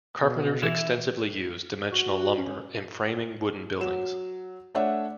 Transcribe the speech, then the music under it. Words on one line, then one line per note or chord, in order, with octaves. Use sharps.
Carpenters extensively use dimensional lumber in framing wooden buildings.
B2
E3 E4 E5 F7
F#4
C#4
F#3 E7
A3 D4 C#5 E5 F#5